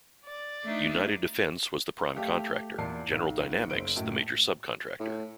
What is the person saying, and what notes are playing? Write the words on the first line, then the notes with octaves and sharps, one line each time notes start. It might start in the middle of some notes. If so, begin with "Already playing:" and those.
United Defense was the prime contractor; General Dynamics the major subcontractor.
D5
A3 D4 D#4
A3 G4 F5
E2 A#2 A5 C7
B1
F#1 C5 D7
F#2 A2 F#3
A2